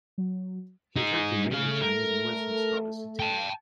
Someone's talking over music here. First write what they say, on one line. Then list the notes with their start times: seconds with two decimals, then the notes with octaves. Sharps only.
He attracted major Chinese and Western scholars to teach.
0.18 F#3
0.96 D#4 G#4
1.52 C#3 A3 A4 F5
1.82 A#4
3.20 G5 A5